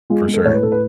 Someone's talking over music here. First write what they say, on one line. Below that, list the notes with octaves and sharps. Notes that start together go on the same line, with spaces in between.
For sure.
G#3 F4
G#3
A4
A2 C#5
B4
A2 A4
B4